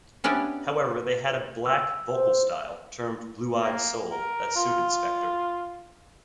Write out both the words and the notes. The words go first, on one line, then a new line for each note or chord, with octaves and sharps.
However they had a black vocal style, termed blue-eyed soul, that suited Spector.
B3 C#4 D4 G4 B4 E5
E6
C5
A#3
A#4
F4